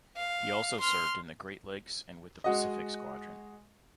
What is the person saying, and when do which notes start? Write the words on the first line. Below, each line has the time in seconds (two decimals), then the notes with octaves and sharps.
He also served in the Great Lakes and with the Pacific Squadron.
0.17 F5
0.80 C6 F6
2.44 G#3 F#4 D#5